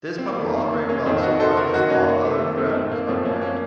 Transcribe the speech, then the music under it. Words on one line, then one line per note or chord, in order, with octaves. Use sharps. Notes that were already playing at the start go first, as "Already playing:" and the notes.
This pump will operate well so long as all other parameters are correct.
C4
A#3
F2 D#3 A3
A#3
A#3
A#3 C#4
F2 D#3 C4 D#4
D#4 F#4
A4 C5
F#4 A#4
F#2 D#3 D#4 F#4
A#3 C#4
A#3
A3
F#2 D#3 A#3
A3 C4
A3 C4
A#3
F#2 F3 A3 C4
A#3 C#4
A#3 C#4